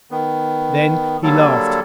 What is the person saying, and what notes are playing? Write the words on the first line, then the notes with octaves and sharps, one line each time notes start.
Then he laughed.
D#3 B3
D3 F#3 G3 A#3 A4